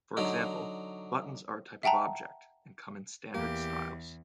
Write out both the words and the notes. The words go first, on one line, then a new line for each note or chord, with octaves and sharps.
For example, buttons are a type of object, and come in standard styles.
D3 F#3 D#4
E5 F#5 G5 A5 A#5
E2 A#3 G4